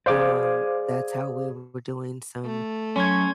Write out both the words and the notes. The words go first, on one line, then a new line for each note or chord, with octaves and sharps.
Um, that's how we were doing some
G#4 C5 D5 F5 D6
A3
F#3 C#4 C6 C#6 G#6